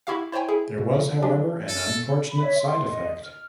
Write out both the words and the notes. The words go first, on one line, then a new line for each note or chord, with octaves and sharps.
There was, however, an unfortunate side effect.
E4 F#4 G4 E5 F5
E4 C5 C#5 G5 G#5
E4 G#4
B2
C#3 F3
F#3 G#3 D4 G4 G#4
A4
B5
C#5 E5
C6
D#5
F6